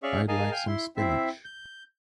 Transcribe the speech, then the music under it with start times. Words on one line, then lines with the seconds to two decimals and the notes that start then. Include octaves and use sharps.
I’d like some spinach.
0.03 C#4 G#4 D5 E5 F5 C#6
0.28 G#4 A#4 D#5 F5 G#5 A5
0.51 F5 G5 G#5
0.67 E4 C6
0.97 C4 E4 E5
1.45 G6